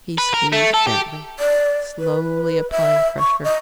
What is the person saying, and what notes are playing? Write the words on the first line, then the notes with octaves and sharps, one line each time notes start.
He squeezed gently, slowly applying pressure.
B4
A#4
A3
A4
G4
D5
B4
E5
C#6
D#5